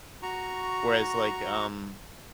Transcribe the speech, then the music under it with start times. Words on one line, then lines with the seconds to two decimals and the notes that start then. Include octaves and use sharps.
Whereas, like, um,
0.22 F#4 A#5 C#6